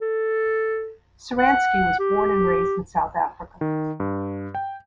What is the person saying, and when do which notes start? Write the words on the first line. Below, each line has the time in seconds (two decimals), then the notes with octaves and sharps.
Suransky was born and raised in South Africa.
0.01 A4
1.39 F#5
1.99 G4
3.61 D#3
4.00 G2
4.55 G5